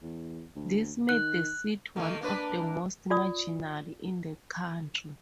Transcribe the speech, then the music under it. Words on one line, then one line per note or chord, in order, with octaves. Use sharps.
This made the seat one of the most marginal in the country.
E2
D2
D#3 F#6
D#3 A3 A#3
A#3 D4 B4
F4 D5 D#6